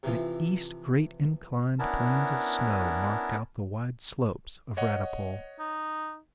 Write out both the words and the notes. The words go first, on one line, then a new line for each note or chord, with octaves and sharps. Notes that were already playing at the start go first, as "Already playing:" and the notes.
To the east great inclined planes of snow marked out the wide slopes of Radipole.
C3 E3 F3
B3 C#4 D4 E4 A#4 A5
C#5 D#5 F#5
D#4